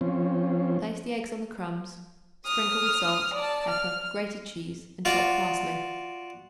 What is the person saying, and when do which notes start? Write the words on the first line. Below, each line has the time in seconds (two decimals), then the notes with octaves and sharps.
Place the eggs on the crumbs; sprinkle with salt, pepper, grated cheese and chopped parsley.
0.01 F3 C4 C#4
2.46 D#6 F6
3.34 D5 A5
3.69 F6
5.05 F4 F#4 D5